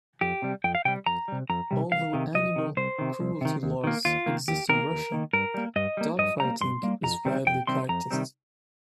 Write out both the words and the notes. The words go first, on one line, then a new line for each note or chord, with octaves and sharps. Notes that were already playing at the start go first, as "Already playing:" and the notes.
Although animal cruelty laws exist in Russia, dog fighting is widely practiced.
F2 G4
C3 G3
F2 G5
F5
C3 G3 G5
F2 A#5
C3 G3
F2 A#5
C3 G3
C2 F5
C3 D#3
C2 D#5
C3 D#3
C2 C5
C3 D#3
C2
C3 D#3
D#2
D#3 A#3
D#2 F4
D#3 A#3
D#2 G4
D#3 A#3 A#4
D#2
D#3 A#3
G2 A#4
G3 A#3
G2 D#5
G3 A#3
G2 D#5
G3 A#3 A#5
G2 C6
G3 A#3
F2 A#5
C3 D#3 G3 C4
F2 G5
C3 D#3 G3 C4 C6
F2 A#5
C3 D#3 G3 C4